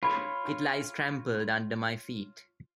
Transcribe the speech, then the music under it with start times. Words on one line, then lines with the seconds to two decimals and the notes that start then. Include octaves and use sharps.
It lies trampled under my feet.
0.03 F4 C#5 B5